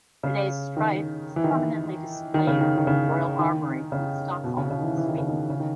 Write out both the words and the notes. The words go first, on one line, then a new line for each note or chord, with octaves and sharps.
Today Streiff is permanently displayed in the Royal Armoury in Stockholm, Sweden.
C#3
D#3
E3
D#3
E3
D#3
C#3
D#3
D#3
C#3
D#3
C#3
B2
C#3
C#3
D#3
E3
E3
D#3
C#3
D#3
C#3
D#3